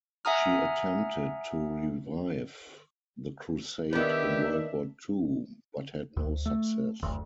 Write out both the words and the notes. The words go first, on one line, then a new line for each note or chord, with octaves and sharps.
She attempted to revive the crusade in World War Two, but had no success.
E5 F#5 G#5 A#5 D#6 F6
D#3 B3 D4 G4 E5
D2
A3
F#1 D2